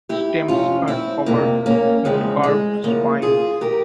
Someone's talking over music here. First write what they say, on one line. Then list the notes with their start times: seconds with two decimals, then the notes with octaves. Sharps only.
Stems are covered in curved spines.
0.09 E4 G4
0.48 F2 C3 F3 C#4 F4
0.88 C4 E4
1.26 F2 C3 F3 A#3
1.66 A#3 C#4
2.05 E2 C#3 F3 G#3 C4
2.43 G#3
2.83 E2 C#3 F3 A#3
3.22 F4 G#4
3.61 E3 G4 A#4